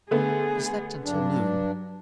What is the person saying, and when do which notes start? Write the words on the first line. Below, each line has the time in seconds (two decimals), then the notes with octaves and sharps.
He slept until noon.
0.11 D3 A3 B3 G#4
1.05 G2 F#3 D4